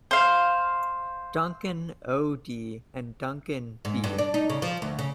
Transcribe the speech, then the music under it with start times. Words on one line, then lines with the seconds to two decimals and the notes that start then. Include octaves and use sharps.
Duncan, O. D. and Duncan, B.
0.11 C5 F5
3.85 G#2
4.04 G2
4.18 D4
4.34 D#4
4.50 C#3
4.62 F3
4.82 D2
4.99 C#3